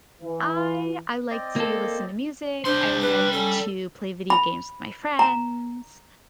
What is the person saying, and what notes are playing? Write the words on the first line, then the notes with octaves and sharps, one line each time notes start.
I I like to listen to music. I like to play video games with my friends.
E3
C4 D5 D#5
A#3 A4
G3 D4 C5 C6
B4
C#4 A4
B5
A#5